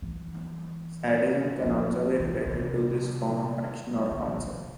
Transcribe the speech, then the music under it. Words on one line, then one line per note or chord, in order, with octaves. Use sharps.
Sadism can also be related to this form of action or concept.
E3
F3
E3
C3
D3
C3